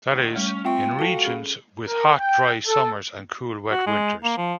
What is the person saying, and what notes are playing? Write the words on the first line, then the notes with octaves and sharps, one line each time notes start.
That is, in regions with hot dry summers and cool wet winters.
B1 D#3
G3 A3 C#4
C4 F4 E5 F5 G5 C#6
F#4 A4 A5
C#4 G#4
A#4
G5
A4
F#4
G#3
A#3
F3